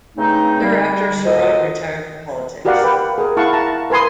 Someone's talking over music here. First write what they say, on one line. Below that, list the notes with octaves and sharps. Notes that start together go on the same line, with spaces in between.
Thereafter Sarraut retired from politics.
G2 C#3 A3 C4 D#4
G3
A#2 F#3 A4 C5 D#5
F#4 G4 A#4 D5 F5 F#5
B4 G5
G#4 A#4
E4 F5 F#5 A5 C#6
A5 A#5
A#4 B4 G#5 C6 D#6